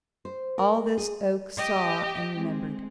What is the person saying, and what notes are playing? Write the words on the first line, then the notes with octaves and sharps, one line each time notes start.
All this Oak saw and remembered.
C5
A#4
G#4
G4 D#5
G#3 C4